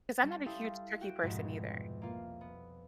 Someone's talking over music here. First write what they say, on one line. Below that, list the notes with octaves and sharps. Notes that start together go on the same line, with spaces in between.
'Cause I'm not a huge turkey person either.
G3 C#4 G4 A4
E4 G4 A4 F5 C6 D#6
F#4 G5 D7 E7
C2 F2 G#2 B2 G#3
A#3 F4
B3